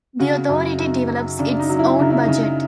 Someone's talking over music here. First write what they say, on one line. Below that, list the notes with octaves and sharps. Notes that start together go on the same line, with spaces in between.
The Authority develops its own budget.
C#3 F#4
F#2
F#2 D#4
F#3
C#3 D4
D#4
F#3
E4
C#3 D#4
E4
C#3 D#4